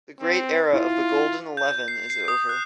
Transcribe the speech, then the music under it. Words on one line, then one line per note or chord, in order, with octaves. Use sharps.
The great era of the Golden Eleven is over.
C4
E4 F4
G6
G6
C7
C7
D#6
F#6